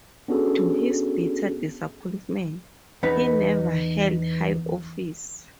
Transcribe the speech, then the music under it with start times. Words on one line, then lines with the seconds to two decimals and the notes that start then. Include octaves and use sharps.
To his bitter disappointment, he never held high office.
0.28 B3 C#4 D4 F#4 G#4 A4
3.03 E2 B3 D#4 B4